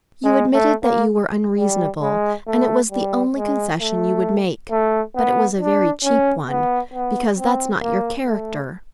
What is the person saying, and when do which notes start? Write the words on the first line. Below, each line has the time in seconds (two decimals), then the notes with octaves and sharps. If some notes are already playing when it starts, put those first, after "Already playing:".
You admitted that you were unreasonable, and it was the only concession you would make; but it was a very cheap one, because that's not your character.
0.24 G#3
0.53 A3
0.83 A#3
1.57 G3
2.02 G#3
2.47 A3
2.92 G3
3.36 G#3
3.80 A3
4.71 A3
5.15 B3
5.60 D4
6.04 C#4
6.49 B3
6.93 B3
7.39 C4
7.82 A#3
8.27 A3